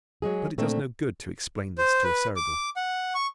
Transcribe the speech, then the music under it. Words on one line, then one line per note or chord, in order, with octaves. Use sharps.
But it does no good to explain this to a Cerebral.
F#3 G#3 G#4
A#2 A3 C4 D4
C5
B4
D6
F#5
C#6